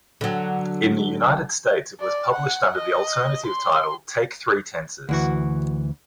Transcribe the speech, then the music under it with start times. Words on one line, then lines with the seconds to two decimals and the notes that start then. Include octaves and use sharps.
In the United States it was published under the alternative title Take Three Tenses.
0.21 D3 F#3
2.00 D5
2.32 F#5
2.77 D#5
3.46 C6
5.09 D2 E3 F#4